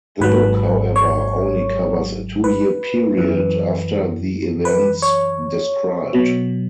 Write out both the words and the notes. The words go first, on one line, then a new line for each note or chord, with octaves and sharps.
The book, however, only covers a two-year period after the events described.
G#1 G#2 F#3 B4
C#5
B4
F#2 E3
B4
C#5
B2 F#3